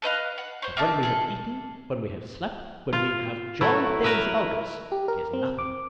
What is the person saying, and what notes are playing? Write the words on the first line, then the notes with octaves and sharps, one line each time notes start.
But when we have eaten, when we have slept, when we have jolly things about us--it is nothing.
A4 B4 D#5 F5
F#5
C5 C#5
A#3 E5 A5
G#4 A4
F4
F#3 A3 E4 C#5
A#4 B4 E5
G4
A#4
C4
D6